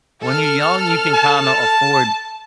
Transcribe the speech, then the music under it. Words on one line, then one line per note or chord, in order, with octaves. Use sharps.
When you're young, you can kinda afford
A4 F6
A5